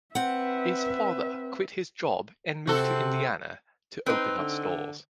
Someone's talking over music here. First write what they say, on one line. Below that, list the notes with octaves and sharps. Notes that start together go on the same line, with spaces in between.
His father quit his job and moved to Indiana to open up stores.
C4 B4 E5 F#5
C3 C4 F#4 A4
C4 D#4 B4
D3